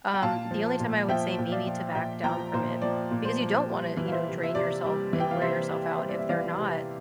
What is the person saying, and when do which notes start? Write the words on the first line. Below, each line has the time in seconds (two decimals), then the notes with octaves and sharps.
Um, the only time I would say maybe to back down from it because you don't wanna, you know, drain yourself and wear yourself out if they're not,
0.14 G5
0.22 A#2 F5 A5
0.51 F3
0.80 A#2
1.09 F3 E5 G5
1.38 A#2
1.52 D5 F5
1.67 F3
1.95 A#2 E5 G5
2.24 F3 G5 A#5
2.54 A#2 C5
2.82 F3 D5
3.11 A#2
3.25 C5
3.40 F3
3.69 G3
3.97 E3
4.07 F5
4.12 C5 E5
4.27 C3
4.43 E5
4.55 C3 D5
4.84 G3
5.13 E3
5.20 G5
5.31 F5
5.41 C3 C5 E5
5.70 C3
5.98 G3 C5
6.09 D5
6.19 E5
6.29 E3 D5 F5
6.57 C3